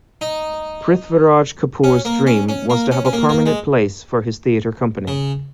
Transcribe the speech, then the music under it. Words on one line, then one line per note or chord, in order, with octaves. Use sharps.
Prithviraj Kapoor's dream was to have a permanent place for his theatre company.
D#4
C#4
A#3
C#4
C#4
A#3
C#4
C#4
A#3
A#3
G#3
C#3